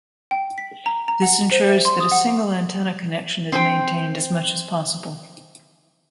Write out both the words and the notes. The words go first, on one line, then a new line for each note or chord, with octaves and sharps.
This ensures that a single antenna connection is maintained as much as possible.
G5
B6
A#5
A#5
F#5
C5
E5
C6
D#6
F#5
C4 C5 G5